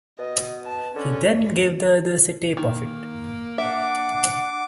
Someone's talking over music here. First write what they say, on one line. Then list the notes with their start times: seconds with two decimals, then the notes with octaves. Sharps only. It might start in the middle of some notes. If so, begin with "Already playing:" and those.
He then gave the others a tape of it.
0.19 B2 D#5
0.65 A5
0.96 D3 C#4
2.57 D#3 A#3
3.58 D4 E5 F#5 D6